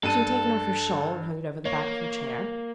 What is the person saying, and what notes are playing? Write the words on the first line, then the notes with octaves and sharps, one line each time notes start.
She had taken off her shawl, and hung it over the back of her chair.
G2 A4 A5 D#7
A#3 C#5